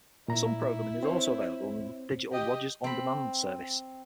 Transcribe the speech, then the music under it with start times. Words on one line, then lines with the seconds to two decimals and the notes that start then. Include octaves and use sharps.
Some programming is also available on the digital "Rogers On Demand" service.
0.28 A#2 E4 A#5
1.03 C4 C5 C#5
2.32 G4 D#5
2.84 C4 B5